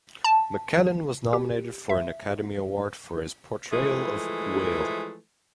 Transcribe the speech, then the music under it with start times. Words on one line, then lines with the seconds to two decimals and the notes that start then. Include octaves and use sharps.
McKellen was nominated for an Academy Award for his portrayal of Whale.
0.24 A5
1.33 G4
1.89 E5
3.73 E3 F3 G#3 A3